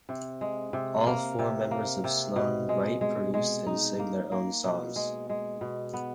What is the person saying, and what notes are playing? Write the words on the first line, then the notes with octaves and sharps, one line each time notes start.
All four members of Sloan write, produce, and sing their own songs.
C3
G#3
C3
A#3
C3
A#3
C3
B2
G#3
G#3
G#3
D#4
A#3
A#3
B2
G#3
G#3
B2
B3